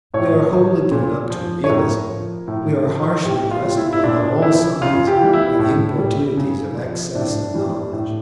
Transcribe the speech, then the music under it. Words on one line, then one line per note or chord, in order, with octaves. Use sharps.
We are wholly given up to realism, we are harshly pressed upon on all sides by the importunities of excess of knowledge.
A2 C#5
F3
A#2
F3
C#5
A2 A#4
F3
A2
F3
A2 G4
F4
G3
E4
E4
A#2 D4
F3 E4
C#3 F4
G4
E3 G3
E4
A2
G3
C#3
F3
A2 D4
E3 G3
A2